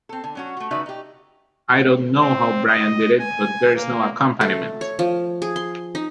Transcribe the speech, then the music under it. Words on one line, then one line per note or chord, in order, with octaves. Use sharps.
I don't know how Brian did it, but there's no accompaniment.
C4 A4
D3
F#3 C#4 F#4
A3 F#4
C#3 D#4 F#4 B4 D5 E5
D#4 G4
C4
D#5
G#5
A#3
A3
C#5
F3
G#4
C6
D#4